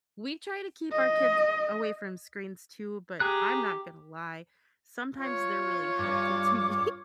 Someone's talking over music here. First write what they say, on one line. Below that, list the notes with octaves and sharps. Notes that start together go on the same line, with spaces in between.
We try to keep our kids away from screens too, but I'm not gonna lie, sometimes they're really helpful to me,
D#5
G4 G#4 A#5 F#6
F4 C#5
G2 D6